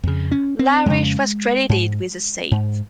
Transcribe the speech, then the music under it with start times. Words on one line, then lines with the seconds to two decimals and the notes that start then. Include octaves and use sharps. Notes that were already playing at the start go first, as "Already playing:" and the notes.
Larish was credited with the save.
0.04 F2 C#3
0.32 C#4
0.59 C4
0.86 F2 C#3 G#3
1.69 G#2
2.51 G#2